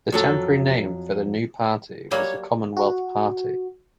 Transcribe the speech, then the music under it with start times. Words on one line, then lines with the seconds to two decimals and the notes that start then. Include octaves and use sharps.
The temporary name for the new party was the Commonwealth Party.
0.12 F2 F#3 A4
2.11 F#3 G3 A#3 C#5
2.77 F#4